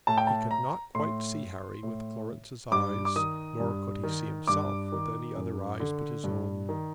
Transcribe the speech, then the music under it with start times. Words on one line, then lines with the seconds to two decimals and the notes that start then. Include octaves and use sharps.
He could not quite see Harry with Florence's eyes nor could he see himself with any other eyes but his own.
0.07 A2 A5
0.18 G5
0.27 A5
0.51 A#5
0.95 A2 C6
1.83 A2
2.71 G2 D6
3.05 D6
3.16 D#3 D#6
3.60 G2
4.04 D#3
4.47 G2 D6
4.92 D#3
5.36 F#2
5.80 D3
6.24 G2
6.69 D#3